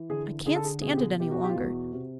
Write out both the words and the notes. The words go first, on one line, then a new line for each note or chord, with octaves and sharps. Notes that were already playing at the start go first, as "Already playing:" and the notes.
I can't stand it any longer.
Already playing: E3
D3 G#4
D3 G#4
A4
G#4
B2 G#4
G4
G#4
B2 G4
F#4
G4
F4
E2 F#4
C3